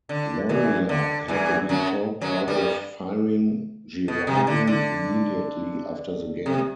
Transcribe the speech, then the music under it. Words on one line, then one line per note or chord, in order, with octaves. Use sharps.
Loria had to be talked out of firing Girardi immediately after the game.
D3
E2 E3
D3
E2 E3
F#2 F#3
F#2 F#3
G2 G3
B2
C3
D3
D3
C3